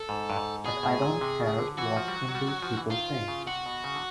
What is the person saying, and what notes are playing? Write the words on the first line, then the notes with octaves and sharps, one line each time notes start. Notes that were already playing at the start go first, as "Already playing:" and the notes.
But I don't care what 'indie people' think.
Already playing: A4
G#2
G2
G#2
B2 G#4
A2
A#2
C3
C#3
D3
E3 F#4
F3
G3
F#3
F#3
G3
F#3
F3
E3
D#3 F4
C#3
C3 F#4
B2
C#3
D3